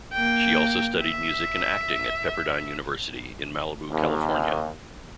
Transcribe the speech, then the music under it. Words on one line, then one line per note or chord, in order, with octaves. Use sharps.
She also studied music and acting at Pepperdine University in Malibu, California.
A#3 G5
E5
D#2